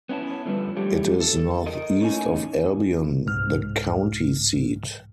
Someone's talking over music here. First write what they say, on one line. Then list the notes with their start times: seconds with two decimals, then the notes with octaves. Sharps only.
It is northeast of Albion, the county seat.
0.09 B3 C#4 E4 A5
0.46 D3 F3 G3 B4
0.77 G3 A3 G4 C#5
1.21 A4
1.66 A#4 D#5
2.00 A2 C#4 D#4 G#5
3.26 C2 G#2 F6